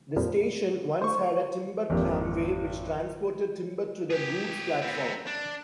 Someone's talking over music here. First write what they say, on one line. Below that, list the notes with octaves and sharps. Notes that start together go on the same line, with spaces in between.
The station once had a timber tramway which transported timber to the Goods Platform.
F2 A#2 F3 G3
C5 C#6
G#1 F2 A#3 D4 G4
G4 G#4
B3 C4
D4